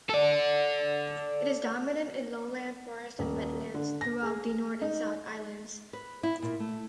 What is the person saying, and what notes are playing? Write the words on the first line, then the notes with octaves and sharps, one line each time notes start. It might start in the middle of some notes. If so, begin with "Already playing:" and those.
It is dominant in lowland forest and wetlands throughout the North and South Islands.
A4 D5
D#1
D3
A#6
G#4
D#4
B4
E4
A#2
A3